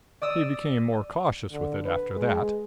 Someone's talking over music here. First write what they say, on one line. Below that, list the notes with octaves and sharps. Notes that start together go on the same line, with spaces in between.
He became more cautious with it after that.
D5 D#6 E6
D3
B4
G#3